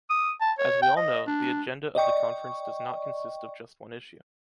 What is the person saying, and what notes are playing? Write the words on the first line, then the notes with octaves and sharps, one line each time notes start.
As we all know, the agenda of the Conference does not consist of just one issue.
D#6
A5
C#5
G5
D#5
D4
D5 D#5 G5 C#6